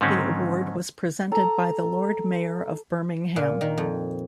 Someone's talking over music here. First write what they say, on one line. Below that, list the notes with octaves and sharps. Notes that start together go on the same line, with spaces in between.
The award was presented by the Lord Mayor of Birmingham.
G#2 D3 D#3 F#3 C4 C#4
A4 A#5
A#2
D#3
F2